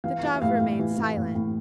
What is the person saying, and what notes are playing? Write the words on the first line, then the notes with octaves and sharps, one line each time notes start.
The Dove remained silent.
E3 F5
E3
E5
A2 F5
A2
E3
E3
A2
A2